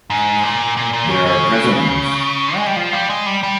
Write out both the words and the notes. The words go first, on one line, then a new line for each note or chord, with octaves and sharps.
There are prisoners.
G#2
A#2
A#2
A#2
C#3
C#3
G#3
G3
F3
G3
G#3
G3
G3